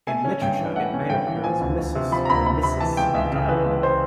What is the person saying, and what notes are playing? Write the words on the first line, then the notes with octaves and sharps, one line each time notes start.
In literature it may appear as "missus" or "missis" in dialogue.
A3 G#5
C#4
G2 G5
E3
A3 F#5
C#4
G2 G5
E3
F3 G#5
D2
D2
C3
F3 B5
A#5
D2 B5
D2 B5
C3 B5
E3 A5
C#2 G5
C#2 E5
C#3
E3 B4
C#2
C5